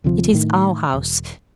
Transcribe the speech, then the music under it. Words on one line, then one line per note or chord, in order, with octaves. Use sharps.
It is our House.
D2 C3 F3
A2 D#3
E1